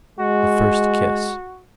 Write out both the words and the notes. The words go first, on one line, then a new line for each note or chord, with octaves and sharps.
The First Kiss.
G#3 F#4